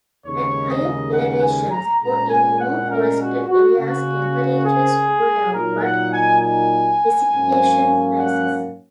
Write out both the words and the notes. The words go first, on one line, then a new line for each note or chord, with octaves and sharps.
At higher elevations or in more forested areas temperatures cool down but precipitation rises.
D#2 C#3 G#3 D#4 C#5
D#5
F#5
G#5
A#5
A#2 G#3 C#4 A#5
G#5
F#5
A#4
F#4
F#4
C#3 A#3 C#4 F#4
G#4
A#2 F#3 D#4 A#4
F#5
G#5
G#5
G#2 F#3 A#3 C#4
F#5